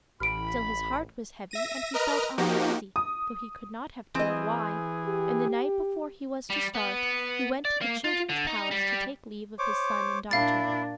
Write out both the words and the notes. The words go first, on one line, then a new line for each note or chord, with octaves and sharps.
Still his heart was heavy, and he felt uneasy, though he could not have told why; and the night before he was to start he went to the children's palace to take leave of his son and daughter.
A1 B5 F6 D7
E5 A#6 D#7
A#4 B4 D#5 A#5 F6
F3 A#3 D#4 F#4 G4
D#6
E3 C4 G#4 D#5
G4
G3
B3
D5
A#3
F4
D3
D#4
G3
C5 C#5 D6
A#2 D4 E4 F5 A6